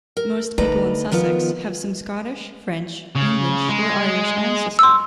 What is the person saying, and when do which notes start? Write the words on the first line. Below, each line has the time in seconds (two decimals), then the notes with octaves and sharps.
Most people in Sussex have some Scottish, French, English, or Irish ancestry.
0.17 A#4
0.58 D2 D#4 B4 D5 A#5
1.12 D#3 F3 B3 F4
3.16 C#3
3.69 G#3
4.79 C6 E6